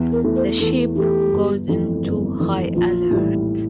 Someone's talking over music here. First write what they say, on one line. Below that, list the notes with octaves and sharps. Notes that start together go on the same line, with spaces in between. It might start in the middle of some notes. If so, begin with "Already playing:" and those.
The ship goes into high alert.
Already playing: E2
A#4
E3 A3
C5
E2 A4
E3 A3 G4
G1
F2 E3 A3 C4
G1
F2 E3 A3 C4
A#1 F4
A2 E3 G3